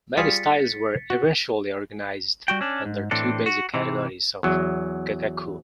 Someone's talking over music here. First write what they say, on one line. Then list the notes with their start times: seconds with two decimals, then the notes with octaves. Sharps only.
Many styles were eventually organized under two basic categories of gagaku.
0.17 G3 F4 G#4 A6 B6 C#7
1.10 F#4
2.48 G3 F#4 G5
2.61 C#4 D4
2.85 G#2
3.11 A2 E3 C4 D4 A4
3.46 F#4
3.74 C3 E3
4.43 E2 F#3